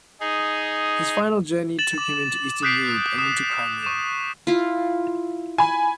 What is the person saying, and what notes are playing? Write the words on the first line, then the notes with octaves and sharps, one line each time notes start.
His final journey took him into Eastern Europe, and into Crimea.
D#4 G#4
A6 E7 F#7
D6
D#6 F#6 G6 B6 C7 D7
D#6 E7
C#6 E7
E4 F4
G#5 B5